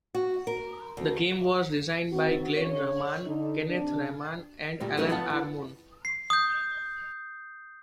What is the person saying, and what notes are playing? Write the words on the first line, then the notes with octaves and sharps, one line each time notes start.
The game was designed by Glenn Rahman, Kenneth Rahman, and Alan R. Moon.
F#4
A#4
D2
D#3 C4 F#4
C#3 D4 C#5
D3 D#4
C3 D4
D2 A#2 G3
C#3 E3 F#3 A3 C#4 D#4
F3 B3 B4 F#5 A5
E3
C7
D#6 G6